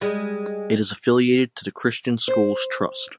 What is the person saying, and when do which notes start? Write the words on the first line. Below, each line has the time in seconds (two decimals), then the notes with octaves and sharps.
It is affiliated to the Christian Schools Trust.
0.01 G3 G#3
2.28 C5